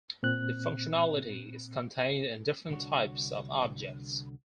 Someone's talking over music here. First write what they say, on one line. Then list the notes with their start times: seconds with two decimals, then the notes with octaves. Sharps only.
The functionality is contained in different types of objects.
0.23 A#2 C4 F#6
2.70 C2 D3 D4 F#4 A4 C#5